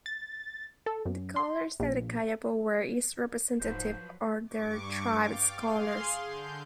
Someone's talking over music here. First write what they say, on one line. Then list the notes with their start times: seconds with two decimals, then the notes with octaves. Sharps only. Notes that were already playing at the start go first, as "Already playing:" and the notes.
The colors that the Kayapo wear is representative of their tribes colors.
0.06 A6
0.86 A4
1.06 F#2
1.36 C6
1.80 A#1
3.60 D#1 G#2 F3 F#3 B4 C5
4.47 G2 C#6 D6
5.21 F5 G5 D6 A6
5.55 G#4 F5 C6
6.22 D3 G6